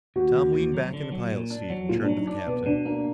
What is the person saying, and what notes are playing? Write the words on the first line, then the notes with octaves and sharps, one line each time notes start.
Tom leaned back in the pilot's seat and turned to the captain.
D#2 F#4
D#2
D#2
F#3
D3
F#3
A#2
D4
F#3
A#2 F4
D4
F#3
D#4
D4
B2 B3
B3
B2 D4
A#3 D4